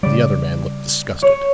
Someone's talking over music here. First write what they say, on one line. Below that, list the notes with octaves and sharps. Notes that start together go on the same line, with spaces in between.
The other man looked disgusted.
C#3 G3 D5
C#5